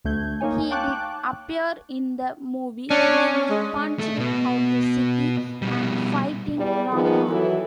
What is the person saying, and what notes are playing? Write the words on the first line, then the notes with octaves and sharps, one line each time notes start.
He did appear in the movie being punched out the city and fighting Ramhorn.
D2 A3 G6 G#6
A#3 D#4 C#5 G#5
F5 G5 A5 C#6 D6 F#6
C#4 D4
G#3
A3 A4
B2 B3
B2 G3
E2 G3
D#3 F3 B3 G#4
E3 F#3 E4 A4